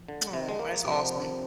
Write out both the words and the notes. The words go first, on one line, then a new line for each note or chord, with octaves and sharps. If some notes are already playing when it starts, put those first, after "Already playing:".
Aw, that's awesome.
Already playing: A#2 F3
D3
C3
G#3
A#3
C3 F3 C4 G4